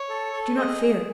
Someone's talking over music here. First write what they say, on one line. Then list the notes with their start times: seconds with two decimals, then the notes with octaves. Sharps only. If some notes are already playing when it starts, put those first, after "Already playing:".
Do not fear.
Already playing: C#5
0.09 A4
0.33 A4
0.57 G#4 D#5
0.82 G#4